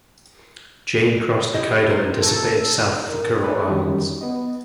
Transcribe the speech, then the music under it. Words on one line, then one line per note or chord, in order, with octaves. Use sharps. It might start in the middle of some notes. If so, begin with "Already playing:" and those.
Jane crossed Hokkaido and dissipated south of the Kuril Islands.
E4 G4 D#5
A#4 C5
A3 A#3 A4
A#4
A4 B4 C#5 D5 E5
D3 D#3 F#3 G3 C#4 D#4
B3 D#5